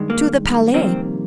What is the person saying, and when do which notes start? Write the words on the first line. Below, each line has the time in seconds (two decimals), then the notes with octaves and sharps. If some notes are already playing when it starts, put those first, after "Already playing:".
"To the Palais."
Already playing: G2 D#3 G#3
0.10 A#3
0.74 F2 C3 D#3 G3 A#3 C4